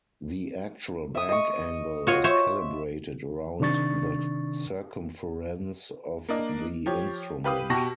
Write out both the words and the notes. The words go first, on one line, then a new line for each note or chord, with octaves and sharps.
The actual bank angle is calibrated around the circumference of the instrument.
E5 D#6
D#5 C#6
F4 F#4 C#5 D#5
C5 C#5 E5
C3 D#3 D4 C#6 A6
A#3 D4 D#5
F3 G4 C#5
G4 B4 F5 D#6
B2 F#4 G4 A5 C#6 A#6